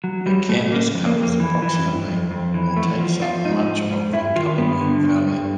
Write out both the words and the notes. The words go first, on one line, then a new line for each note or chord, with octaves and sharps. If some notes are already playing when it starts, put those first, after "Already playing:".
The campus covers approximately and takes up much of the Cullowhee Valley.
F#3
F#3 G3
A2 A3
C#3 A#3
F2
A#3
F2
A#3
E3
E3
G2
F2
F2
E3
E2 A3
F3
F3 F4
G#2 D#4
G#2
G#2
G2 E4
D#3 F4
G2 B3
D3
G2
G2